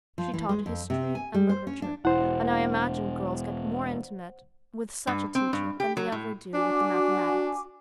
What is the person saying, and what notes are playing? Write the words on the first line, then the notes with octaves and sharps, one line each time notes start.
She taught history and literature, and I imagine girls get more intimate with such a teacher than they ever do with the mathematics.
F3
E3
G#3
F2
C3
G#5
G3
C5
C#4
D4
E1 E4 C5 F#5
G2
C4
G2
G4
F#3
A2
D4 F#4 G#5 D6